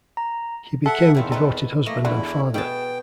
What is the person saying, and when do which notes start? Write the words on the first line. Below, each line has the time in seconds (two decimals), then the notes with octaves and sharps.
He became a devoted husband and father.
0.17 A#5
0.86 A4 E5 F#5
1.15 E2 D#3 C4 E4 F4
1.32 D#4 A4 B4 E5
1.86 A3 A#3 D#5
2.05 E2 D3 A3 E4
2.54 B2 G#4 G5 A5